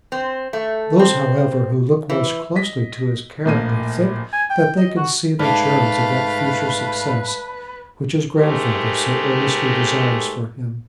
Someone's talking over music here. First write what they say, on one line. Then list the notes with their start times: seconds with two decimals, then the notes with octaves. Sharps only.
Those, however, who look most closely to his character think that they can see the germs of that future success which his grandfather so earnestly desires for him.
0.12 C4
0.53 A3
0.99 C4
2.10 E3
2.56 D#5 B6
3.45 A#1 A2 A#3 D#5 D#7
4.33 G#5
4.50 G5
4.78 D#5
4.97 F#4
5.39 G#2 A3 B4 D5 F5 A5 F6
8.38 G#2 G#3 A3 G4 A#4